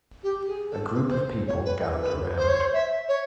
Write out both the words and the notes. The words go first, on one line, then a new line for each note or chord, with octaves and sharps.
A group of people gathered around.
G4
G#4
A4
B4
B4
C5
C#5
B4
B4
C5
C#5
C5
E5
C#5